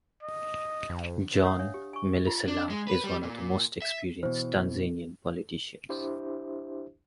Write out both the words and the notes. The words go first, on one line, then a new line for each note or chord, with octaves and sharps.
John Malecela is one of the most experienced Tanzanian politicians.
D#5
F2
C#5 F5 F#5 D#6
D4 C#5 E5
G4
G#5 C#6
F4 A#5
D4
G#3
B4
G3
A#2
E5
B2 E3 C5
D4 E4 G4 C5 E5